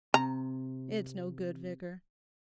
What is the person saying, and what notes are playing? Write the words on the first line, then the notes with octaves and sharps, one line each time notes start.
'It's no good, Vicar.
C3 A#5